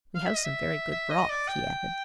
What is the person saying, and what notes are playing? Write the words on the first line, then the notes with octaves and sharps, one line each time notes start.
"We have some very good broth," he added.
F5
E5
D#5
E5
E5
D#5
D5
G5